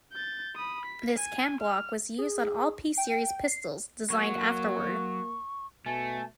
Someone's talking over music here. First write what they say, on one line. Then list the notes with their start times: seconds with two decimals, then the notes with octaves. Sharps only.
This camblock was used on all P-series pistols designed afterward.
0.13 G6 A6
0.55 B5 D#6
0.86 B6
1.16 G#5
1.61 F6
2.18 G#4
2.97 G5
3.48 C7
4.10 F#3 A#3 C#6
5.86 B2 A3 G#5